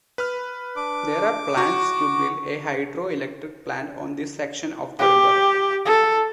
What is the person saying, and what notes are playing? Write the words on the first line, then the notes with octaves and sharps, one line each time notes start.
There are plans to build a hydroelectric plant on this section of the river.
B4 B5 F6
D4 D6
F#4 C#6
G4
A4